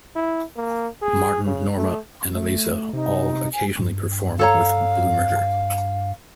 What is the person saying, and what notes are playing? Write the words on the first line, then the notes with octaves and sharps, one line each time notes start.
Martin, Norma and Eliza all occasionally perform with Blue Murder.
E4
A#3
G#4
C#3
A3
A3
C3 D#4
G#5
G2
A4 C#5 F5 A#5